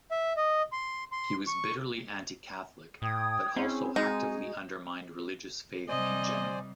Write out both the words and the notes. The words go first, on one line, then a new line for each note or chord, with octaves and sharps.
He was bitterly anti-Catholic but also actively undermined religious faith in general.
E5
D#5
C6
C6
C#6
A2 G5 D#6 G#6
C4 C#4 E4 G#4
G#3 D#4 F#4 G#4
C3 G3 C5 D5 D#5 G#5